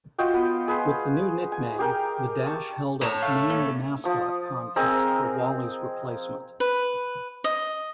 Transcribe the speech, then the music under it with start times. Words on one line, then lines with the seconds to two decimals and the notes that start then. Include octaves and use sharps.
With the new nickname, the Dash held a name-the-mascot contest for Wally's replacement.
0.18 F4 F#4 D#5 G5
0.34 B3
0.68 G#4 B4 C5
1.52 G#5
1.79 G4 G#4 A#4 G5
2.46 A5 C#6
3.01 A2 C#5 A5 A#5
3.22 A3 F5
3.50 A#3
4.04 F3 D#6
4.76 C4 G#4 A#4 D#5
6.60 B4
7.44 D#5